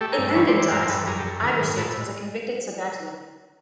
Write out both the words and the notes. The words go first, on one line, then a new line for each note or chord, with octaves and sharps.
In Emden's eyes, Eybeschutz was a convicted Sabbatean.
A3 G4 A4
G#4 A#4
G2
E3 B4 C#5
C5 D5
E3
C5 D5
G2 A#4 C5
G2 A4 B4
F#2 G#4 A#4
G4 A4
F#2
D#3 G#4 A#4
G#2 G#4 A#4
A2 A4 B4